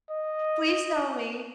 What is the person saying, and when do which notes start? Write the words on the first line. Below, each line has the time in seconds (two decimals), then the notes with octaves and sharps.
Please tell me.
0.10 D#5